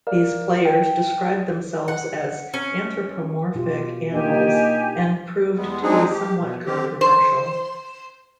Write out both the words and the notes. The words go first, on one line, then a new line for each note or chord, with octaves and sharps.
These players "described themselves as anthropomorphic animals", and proved to be "somewhat controversial".
A#4 D5 F5
G5
F#5
C#4
B2 F4 G4
A#3 D4 D#4 G4 D#5 G#5
E2 G3 G#3 B3
F#3 G#3 C4 D4 D#4 G#4
G4
B2
D3 C4 G4
C5